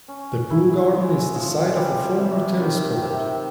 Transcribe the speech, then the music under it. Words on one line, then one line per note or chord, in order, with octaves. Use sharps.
The pool garden is the site of a former tennis court.
C#4
E4
G#3
F3
G3
C3
D#3
C3